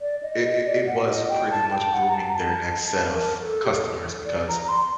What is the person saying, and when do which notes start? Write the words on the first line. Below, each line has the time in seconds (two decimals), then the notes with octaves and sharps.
it it it was pretty much grooming their next set of customers because
0.01 D5
0.23 D#5
0.45 D#5
0.66 D5
0.82 D#5
0.87 F#5
1.08 D#5
1.29 G5
1.51 A5
1.71 G5
1.92 F#5
2.09 A#5
2.14 A5
2.29 A#5
2.35 A5
2.85 A5
3.13 A#4
3.42 A4
3.65 G4
3.70 A4
4.26 D5
4.48 A#5
4.64 A#5
4.69 C6